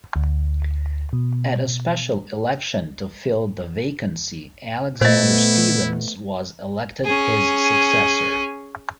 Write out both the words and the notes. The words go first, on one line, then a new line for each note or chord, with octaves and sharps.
At a special election to fill the vacancy, Alexander Stephens was elected his successor.
D2
B2
A#2 A3 B3 E4 C5 D#5
C#4 G#4